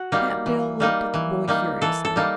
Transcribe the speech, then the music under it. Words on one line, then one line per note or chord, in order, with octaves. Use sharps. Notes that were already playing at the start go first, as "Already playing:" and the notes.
Cap'n Bill looked at the boy curiously.
Already playing: F#4
G3 A#3 D#4
E3
G3 A#3 D#4
E3
G3 A#3 D#4
E3 A4
A4
G3 A#3 D#4